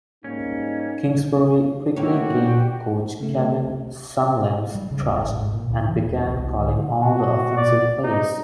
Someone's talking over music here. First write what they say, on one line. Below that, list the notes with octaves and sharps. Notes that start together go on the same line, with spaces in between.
Kingsbury quickly gained Coach Kevin Sumlin's trust and began calling all the offensive plays.
G#2 G3 A#3 C#4 D#4
A3 A#3 E4 F#4 C#5 G5
A#2 G4 G5
C#3 A3
G3
C#3
D#1
A1
G#2
A#2
D2
E3
E1
C2
C2
D3
F#4
D5
D#4